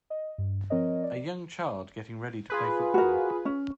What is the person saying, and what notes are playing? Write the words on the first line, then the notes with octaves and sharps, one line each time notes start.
A young child getting ready to play football.
D#5
G2
F3 C4 A#4 C#5 D#5
D5
F4 G#4 B4
F#4 A#4
C#4